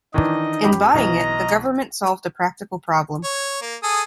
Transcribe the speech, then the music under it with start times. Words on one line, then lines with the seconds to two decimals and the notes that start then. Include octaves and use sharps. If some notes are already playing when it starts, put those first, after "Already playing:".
In buying it, the government solved a practical problem.
0.14 D#3 E3 D4 D#4 D#5
0.64 F#2 G4 B5
0.94 B1 E3 D#5 A#5
3.24 C#5
3.62 A#3
3.83 G#4 A4 D#6